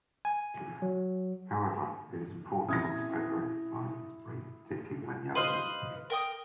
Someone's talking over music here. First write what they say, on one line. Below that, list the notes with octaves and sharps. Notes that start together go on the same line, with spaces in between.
However, it is important not to over exercise this breed, particularly when young.
G#5
F#3
A#2 C4 C#4 E4 D#6 G#6 A#6
B4 C5 D#5 F5
A#4 G5 D#6